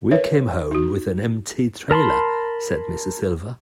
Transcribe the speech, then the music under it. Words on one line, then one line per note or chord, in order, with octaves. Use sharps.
We came home with an empty trailer said Mr. Silva.
A#4 B4 C#5 E5
D#4 F#4
A#4 A5 B5 C6